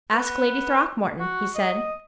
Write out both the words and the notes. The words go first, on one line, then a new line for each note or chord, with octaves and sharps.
"Ask Lady Throckmorton," he said.
B3
F#4
D#5